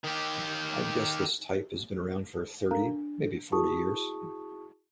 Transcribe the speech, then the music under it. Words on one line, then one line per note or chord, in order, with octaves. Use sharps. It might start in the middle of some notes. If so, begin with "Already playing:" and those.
I'd guess this type has been around for thirty - maybe forty - years.
D#3 G4
D4 A4 A#4 F5 A#5
D4
E4 F#4 G#4 A5 C#6 D#6